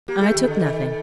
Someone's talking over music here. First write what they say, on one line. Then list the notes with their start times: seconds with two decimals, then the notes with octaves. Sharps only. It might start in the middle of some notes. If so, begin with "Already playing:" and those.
'I took nothing.
0.08 A#3 G4
0.21 A3 G#4
0.34 D#3 G4
0.46 D3 A4
0.60 D#3